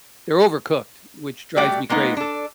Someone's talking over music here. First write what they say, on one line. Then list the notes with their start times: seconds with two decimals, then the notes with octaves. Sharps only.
they're overcooked which drives me crazy.
1.56 G3 A3 F#4 D5 G5
1.89 G#3 A#3 B3 D#4
2.17 D4 A4